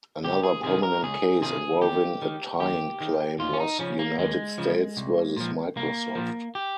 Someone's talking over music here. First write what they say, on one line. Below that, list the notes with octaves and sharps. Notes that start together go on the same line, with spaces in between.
Another prominent case involving a tying claim was "United States versus Microsoft".
C#2 G4
G#4
C3 D#3 G#4
A#4
C#2 G#4
C3 D#3 G#4
D#2 G4
D#3
D#2 G4
D#3
D#2 F4
C#4
D#4
C#3 F3 C#4
A#3
D#2 G#3
C#3 F3
C2
A#2 F3
C2 A#3
A#2 F3
G4